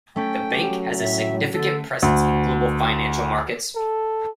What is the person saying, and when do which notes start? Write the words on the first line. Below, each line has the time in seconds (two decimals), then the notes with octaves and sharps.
The bank has a significant presence in global financial markets.
0.16 A3 C#4 G5
0.50 F#3 G4
0.99 A2 E5
1.54 D3 A3 A4
2.02 D2
3.76 A4